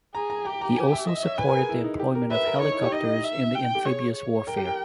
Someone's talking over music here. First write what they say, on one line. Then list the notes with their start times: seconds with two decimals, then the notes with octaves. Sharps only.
He also supported the employment of helicopters in the Amphibious Warfare.
0.15 G#4 A#5
0.30 A#5
0.45 G4 A#5
0.61 A#5
0.76 G#5
0.92 E5
1.07 D#5 E5
1.23 C#5
1.38 B4 G#5
1.48 A#4
1.58 G#4
1.69 E4
1.84 D#4
1.99 G4
2.15 A#4
2.30 B4 E5
2.46 A#4
2.61 D#4 C#5
2.72 E4
2.83 G4
2.92 D#4 D#5
3.23 E5
3.55 G5
3.75 G4
3.85 G#4 C#5
4.16 C#5
4.47 A#4 G5
4.57 G4
4.67 A#4